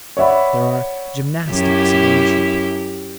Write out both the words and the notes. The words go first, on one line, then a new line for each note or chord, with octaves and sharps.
There are gymnastics of untruth.
C#5 D5 E5 F#5 B5
F#2 E4 G4